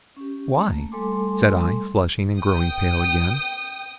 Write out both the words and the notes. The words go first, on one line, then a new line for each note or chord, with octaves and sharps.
'Why?' said I, flushing and growing pale again.
C#4 G4
A3 A#3
G3 A3 A4 G#5 C6 D6
G5 D#6